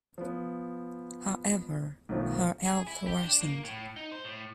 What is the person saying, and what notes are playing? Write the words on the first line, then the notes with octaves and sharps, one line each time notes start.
However, her health worsened.
F3 B3
B1 D#3 F3 A3
G#4
E4
G4
D4
A#3
A2
D#4
C5
A2